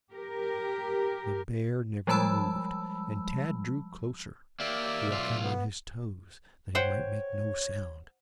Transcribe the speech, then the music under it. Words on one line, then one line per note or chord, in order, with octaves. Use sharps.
The bear never moved and Tad drew closer, walking on his toes that he might make no sound.
G4 A#4
F3 G3 G#3 A5 B5 E6
A#3 G4 D5 E5
B1 F4
B3
C5 C#5 F#5 G5